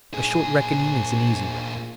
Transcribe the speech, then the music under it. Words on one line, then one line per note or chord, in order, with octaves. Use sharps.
A short reckoning is an easy reckoning.
A#2 G#4